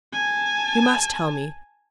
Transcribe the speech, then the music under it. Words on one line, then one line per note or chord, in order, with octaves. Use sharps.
You must tell me.
G#5 A5